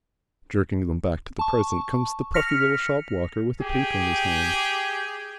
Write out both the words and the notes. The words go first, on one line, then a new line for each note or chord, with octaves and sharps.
Jerking them back to the present comes the puffy little shop-walker, with a paper in his hand.
A5 C#6
F6 A#6 B6 C#7 F7
G4 G#4 G5